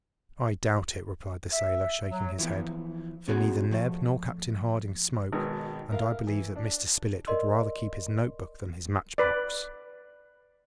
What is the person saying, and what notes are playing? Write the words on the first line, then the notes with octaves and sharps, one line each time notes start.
"I doubt it," replied the sailor, shaking his head, "for neither Neb nor Captain Harding smoke, and I believe that Mr. Spilett would rather keep his note-book than his match-box."
E5
F#3
E3 F3 B3
B3 C#4 F#4 G#4
F3 A3
G#1 B2 D#3 G#3 B3 D#6
A#4 E5 F5
E3
D4
A#4 D5 D#5 C6
B4 D5